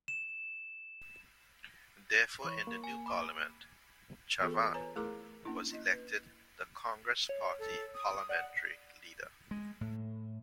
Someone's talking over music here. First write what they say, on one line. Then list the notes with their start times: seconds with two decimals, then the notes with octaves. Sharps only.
Therefore in the new Parliament, Chavan was elected the Congress Party Parliamentary leader.
0.08 E7
2.42 E3 C#5 B5 C#6
2.67 A#3
2.84 G#5
3.06 B5 D6
4.40 E3 B3 F4 G#4 A4
4.74 B4 C#5 G#5 A#5
4.96 A3 E4 G#4 A#4 A#5 D6
5.45 A#3 C#4 D4 E4
5.72 E4 D#5
5.91 B4
7.29 C#5
7.59 A4
7.94 D#6
8.29 D5 F#5
9.51 G#3
9.81 A2